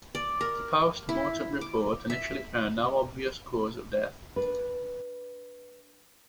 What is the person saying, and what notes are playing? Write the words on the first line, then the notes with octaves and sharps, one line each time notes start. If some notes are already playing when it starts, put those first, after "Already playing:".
The post-mortem report initially found "no obvious cause" of death.
D5
A#4
E4
D6
E5
D4 B4